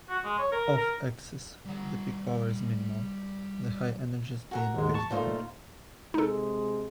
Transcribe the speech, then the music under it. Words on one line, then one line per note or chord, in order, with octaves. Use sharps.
Off-axis, the peak power is minimal, the high energies being phased out.
F#4
G#3
C#5
A#4
A#4
G3 F#5
F#4 A4 A#4
D#2 G#2 G#3
A5 C#6
A#2 A3 D#4 F4 C5
C3 G#3 D#4 A4